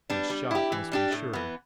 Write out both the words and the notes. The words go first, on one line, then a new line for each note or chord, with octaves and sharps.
His shot must be sure.
G3 B3 D4
G3
E4 G4
E3
G3 D4 G4
A2
E3 B3